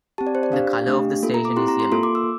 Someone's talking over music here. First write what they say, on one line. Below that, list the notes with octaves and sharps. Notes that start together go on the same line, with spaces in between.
The color of the station is yellow.
C4 G4 A5
D5
C5
D5
D4 G4 F5
A3 D4 G4
A#3 F4 A4
A#5
D6
C4 E4 G4 C6
A#5
C6
A#3 F4 A4 C6
D6
E6